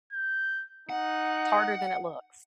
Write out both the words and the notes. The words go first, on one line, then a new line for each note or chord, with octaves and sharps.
T harder than it looks.
G6
D#4 F#5